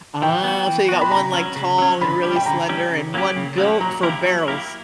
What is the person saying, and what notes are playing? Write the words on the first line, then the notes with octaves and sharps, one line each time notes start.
Ah, so you got one like, tall and really slender, and one built for barrels.
E3 G5
B3 F#4
E3
B3 F#4
B5
C#3 A#5
F#3 C#4
C#3
F#3 C#4
D3 B5
G3 C#4 G4
G5
D3 A#5
G3 C#4 G4
C#3
F#3 A#3 C#4 G4
C#3
F#3 A#3 C#4 G4
F#3 A#5
A#3 E4 G4 A#4
F#3
A#3 E4 G4 A#4